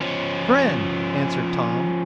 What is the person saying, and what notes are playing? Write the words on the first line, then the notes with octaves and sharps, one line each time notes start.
"Friend," answered Tom.
F3 C#4